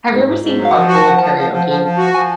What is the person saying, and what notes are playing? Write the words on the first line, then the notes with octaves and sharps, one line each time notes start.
Have you ever seen Carpool Karaoke
G#2
G#2
G#2
F#3
F5
F3 F#5
F#4
A5
F3 F#5
F3 A5
F3
F3
F3
F3
F#4
F3 G#5